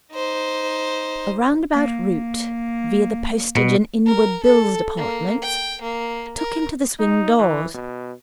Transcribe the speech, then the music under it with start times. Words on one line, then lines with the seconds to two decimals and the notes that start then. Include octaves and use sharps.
A roundabout route, via the Postage and Inwards Bills Departments, took him to the swing-doors.
0.13 D#4 C5
1.76 A#3
3.57 B2
4.06 A#4
4.44 A4
4.97 A#3
5.42 G5
5.82 A#3
6.38 A#4
6.99 D#4
7.38 E3
7.74 B2